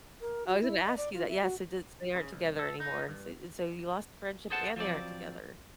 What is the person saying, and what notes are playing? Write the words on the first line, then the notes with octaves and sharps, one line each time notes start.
I was gonna ask you that, yes. So did they aren't together anymore. And so and so you lost the friendship, and they aren't together.
A#4
F#4
E4
D#5
D5
F4
E5
F#4
C#3
C2
A4
D#4
G2
G#4 A4 C5 F#5 A5
F3 F#3 C4 D5